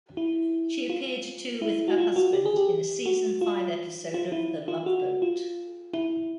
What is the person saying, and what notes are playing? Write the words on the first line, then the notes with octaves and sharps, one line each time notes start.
She appeared too with her husband in a season-five episode of "The Love Boat".
E4
F4
E4
F#4
F4
F#4
G4
G#4
G4
F#4
F4
F4
E4
F4
F#4
F4
E4